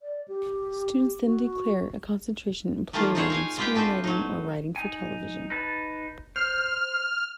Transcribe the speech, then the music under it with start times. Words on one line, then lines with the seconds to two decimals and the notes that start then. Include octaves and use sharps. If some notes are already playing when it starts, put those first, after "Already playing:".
Students then declare a concentration in playwriting, screenwriting, or writing for television.
0.02 D5
0.28 G4
1.25 F#4
2.93 D#3 E3 G3 A3 A#3 F4
3.15 D#4 F4 G#4 C5 C#5
3.30 A#4 F5 G#5
3.58 G#3 F4 G4 B4 F#5 G5
3.75 A3 C4 D4 B4 C5
4.04 F#3 D#4
4.76 D#4 G#5
5.50 D#4 B4 A5
6.36 C5 F6